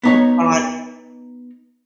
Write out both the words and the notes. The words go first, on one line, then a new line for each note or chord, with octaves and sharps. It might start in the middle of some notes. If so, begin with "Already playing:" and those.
Oh god,
B3 D#4 C#5